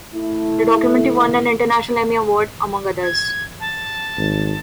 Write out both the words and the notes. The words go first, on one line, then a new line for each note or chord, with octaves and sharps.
The documentary won an International Emmy Award, among others.
A3 E4
G#6
A5
G#1